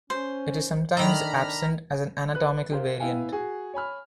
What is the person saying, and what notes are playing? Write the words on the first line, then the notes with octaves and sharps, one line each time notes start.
It is sometimes absent, as an anatomical variant.
C#4 C5
D#3 A3 D4 D#5 A#5 B5 F6
B4 F#6
G4 A#4 C5 F5
B3 E4 F5 G5 G#5
F#4 G#4
C#5 G#5 B5 F6